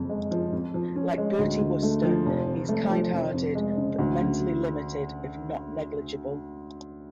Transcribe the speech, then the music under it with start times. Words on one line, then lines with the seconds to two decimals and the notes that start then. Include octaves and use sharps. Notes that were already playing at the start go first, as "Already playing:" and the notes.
Like Bertie Wooster he's kind hearted but mentally limited, if not negligible.
Already playing: F#1 F2
0.09 G#3
0.31 F3
0.53 F2
0.74 F3
0.96 C#4
1.18 G#3
1.39 D2
1.61 D3
1.83 A3
2.04 F3
2.26 F1
2.47 F2
2.69 A3
2.90 F3
3.12 F1
3.34 F2
3.55 G#3
3.77 C#3
3.99 D2
4.20 C#3